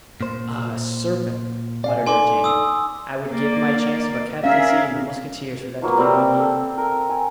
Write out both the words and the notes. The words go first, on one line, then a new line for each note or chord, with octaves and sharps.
"Ah! serpent," muttered D'Artagnan, "I would give my chance of a captaincy in the mousquetaires for that to be my name."
A#2 C5
D5 F5 G#5
D#4 A4 D5 G#5 C6 D6
D#6 E6
A#3 D5
C#4 G#4 A#4 E5 F5
F3 F#3 A#3 B3
G3 C4
A4
A#4
G#5